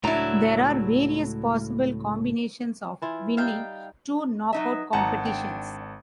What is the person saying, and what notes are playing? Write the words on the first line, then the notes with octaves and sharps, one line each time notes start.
There are various possible combinations of winning two knock-out competitions.
C#2 A2 F#3 D4 E4 A#5
E3 E4 F4
G3 D#4 E5 F5 G5
F#3 D#4 E5
G#1 D#4 F#5 A5 A#5
D4 G5